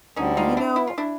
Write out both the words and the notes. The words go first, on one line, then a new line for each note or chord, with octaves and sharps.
You know
D2 D3 G3 C#4 D#4
D#4 F4
D4 E4
E4
F4
D4 E4